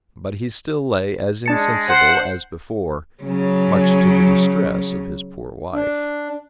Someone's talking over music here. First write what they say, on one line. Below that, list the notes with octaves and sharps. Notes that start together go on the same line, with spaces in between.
But he still lay as insensible as before, much to the distress of his poor wife.
G#3 D4 A5 C#7
C5 F#5
C#3 F#3
D4